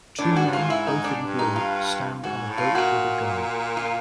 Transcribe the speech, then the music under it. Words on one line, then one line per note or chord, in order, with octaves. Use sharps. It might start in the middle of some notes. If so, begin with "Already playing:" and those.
Two men, both in blue, stand on a boat with a gun.
A2 D4
G#2 F#4
G2
G#2 F4
E4
D#4
D4
G2
D#4
F4
G#2 F#4
A2
F4
A#2 F#4
F4